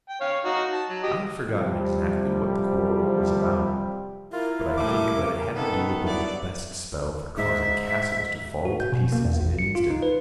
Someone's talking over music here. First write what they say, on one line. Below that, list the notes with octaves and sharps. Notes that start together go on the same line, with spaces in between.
I have forgotten exactly what the quarrel was about, but I think that it had to do with the best spell for causing castles to fall to pieces in an instant.
G5
C#5 F5
D#4 F#4
A5
F#3
G4 D#5
C3 F3 G3
E4 F4 A#4
A2 G3 D6
C#3
D#3 B3 A4
G2 F#3 E4 D5
G#2 G#3 D#4 E5
F#4
G6
B2
A#3
E2
G#1
C#7
F4
D#4
B4